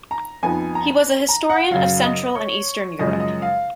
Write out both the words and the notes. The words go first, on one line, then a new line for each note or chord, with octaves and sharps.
He was a historian of Central and Eastern Europe.
A#5
F2 F3 B3 D#4 G#5
A#5
A#5
F#5
F#2 C#3 F#3 F5
D#5
C#5
F#2 C#3 F3 G#3 D#5
D#5
F5